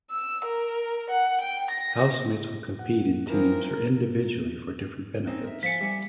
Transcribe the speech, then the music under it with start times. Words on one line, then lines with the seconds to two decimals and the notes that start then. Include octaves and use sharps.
Housemates will compete in teams or individually for different benefits.
0.11 E6
0.45 A#4
1.10 F#5
1.41 G5
1.70 A#6
2.79 F#5
3.30 E3 F3 C4 A#4
5.27 C4 C#4 D#4
5.43 A#4 E5
5.63 F3 G#5 B6 C#7
5.80 G3 E5 G#5